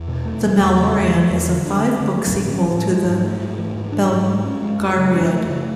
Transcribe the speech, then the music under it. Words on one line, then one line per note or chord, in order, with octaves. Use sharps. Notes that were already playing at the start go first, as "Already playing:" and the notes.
"The Malloreon" is a five-book sequel to the "Belgariad".
Already playing: E2
B2
A3
E3
E2
C#3
E2
F#3
E2
D3
D4
A3
D3
F#3
A2
C#4
A2
G#3
G#2
A3
G#2
E3
G#2
D4
G#2
G#3
C#4
G#3
F#2
C#3
D4
A3
C#3